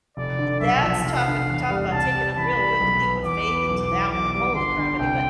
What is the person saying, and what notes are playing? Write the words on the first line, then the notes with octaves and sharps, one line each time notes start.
that's talking talk about taking a real good leap of faith into that one. Holy grammity. But
F1 D5
D3
B1 E5
F3
F1 F5
D3
E2
G3
C2 A5
G3
A1 B5
G3
B1
B3
E2 D6
B3
B1 D6
E3
B1 D6
G3
G1 C6
D3
C2 G5